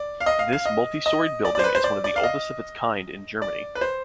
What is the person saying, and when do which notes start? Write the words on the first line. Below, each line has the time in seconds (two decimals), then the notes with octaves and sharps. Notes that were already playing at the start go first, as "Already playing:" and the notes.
This multi-storied building is one of the oldest of its kind in Germany.
Already playing: D5
0.20 F5
0.26 D#5
0.39 F5
0.53 F5
0.66 D#5
1.06 D#5
1.45 D5
1.55 C5 D5
1.64 B4
1.75 C5
1.84 D5
2.04 D5
2.16 F5
2.23 D#5
3.42 D5
3.75 B4
3.81 C5